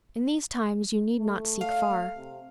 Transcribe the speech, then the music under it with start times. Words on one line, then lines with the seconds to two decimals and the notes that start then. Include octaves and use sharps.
In these times you need not seek far.
1.20 A3
1.61 F5
2.16 C3